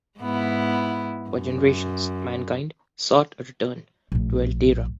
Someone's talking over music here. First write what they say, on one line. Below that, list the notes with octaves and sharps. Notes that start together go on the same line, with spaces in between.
For generations, mankind sought a return to Alterra.
G#2 B3 E4
F#2
A#1 A2